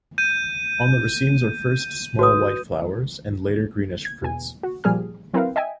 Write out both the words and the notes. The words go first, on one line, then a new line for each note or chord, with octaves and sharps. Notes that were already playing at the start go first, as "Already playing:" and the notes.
On the racemes are first small white flowers, and later greenish fruits.
G6 D#7
F#4 B4 D#6
G#6
E2 B2 G#5
F#4
A#2 F3 G3 G#4 G#5 F6
F#3 C4 E4 A#4 B4 F5
D#5 E5 G5 G#5